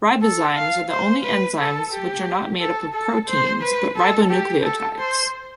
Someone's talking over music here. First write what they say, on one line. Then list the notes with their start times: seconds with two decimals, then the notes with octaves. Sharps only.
Ribozymes are the only enzymes which are not made up of proteins, but ribonucleotides.
0.22 A4
0.56 F5
0.90 C5
1.24 B4
1.58 A4
1.93 G4
2.60 A4
2.94 A4
3.28 C5
3.62 B4
3.97 A4
4.30 G4
4.64 A4
4.99 C5